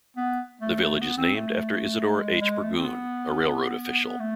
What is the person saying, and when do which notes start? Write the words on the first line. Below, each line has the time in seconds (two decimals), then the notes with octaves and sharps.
The village is named after Isadore H. Burgoon, a railroad official.
0.17 B3
0.61 A3
0.83 A3
1.01 B3
1.18 C4
1.35 A3
2.19 G#3
2.41 G#3
2.63 A3
2.76 C4
2.85 B3
4.20 A3